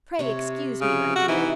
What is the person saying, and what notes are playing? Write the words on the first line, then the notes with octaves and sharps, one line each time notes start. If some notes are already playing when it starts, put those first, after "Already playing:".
Pray excuse me, my dear.
C3 C#5
C#3
F#4
E3 D#4 E5